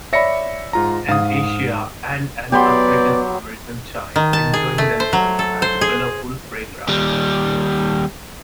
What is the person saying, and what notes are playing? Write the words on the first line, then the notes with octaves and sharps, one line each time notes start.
An Asian and an African American child enjoying themselves at a colorful playground.
C#5 D5 E5 B5 A#6 C#7
G#2 F4 A#5
G#2 F5 D#6
F#3 B3 G4 D5 B5 C6
D#3
A5
G#4
A3
C5
F#3
A4
C5
G#4
D#2 G3